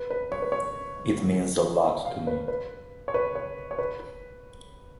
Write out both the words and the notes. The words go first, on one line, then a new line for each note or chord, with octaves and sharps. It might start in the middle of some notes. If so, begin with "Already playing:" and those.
It means a lot to me.
Already playing: B4
B4
C#5
B4
C#5
F5
B4
B4
C#5
B4
C#5
C#5
B4